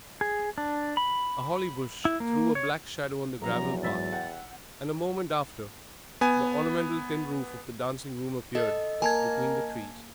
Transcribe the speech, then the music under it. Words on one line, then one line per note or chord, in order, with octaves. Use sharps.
A holly bush threw a black shadow on the gravel path and a moment after the ornamental tin roof of the dancing room appeared between the trees.
G#4
D4
B5
E4
A#3
C#5
A#1 E2 F#3 A#5
G#2 E6 A6 B6
F#5 G5
B3 G#5
A4 D#5
A#3 A#4 G#5 A5 G#6